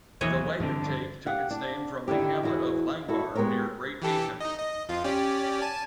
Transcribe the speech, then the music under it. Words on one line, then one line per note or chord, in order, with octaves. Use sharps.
The wapentake took its name from the hamlet of Langbaurgh, near Great Ayton.
E1 D#2 E3 F#3 C#5 D#5
G2 D3 F3 C4
G4 F5 F#5
D4
D3 D#3 E4 G4
E2 E4 F#4 G#4
E4 F#4 A4
G#3 B3 G4 A#4 C#5
E3 G4 A4
D#4 D#5
D#5
F2 F4
C#4 G4 D5
G#5 A5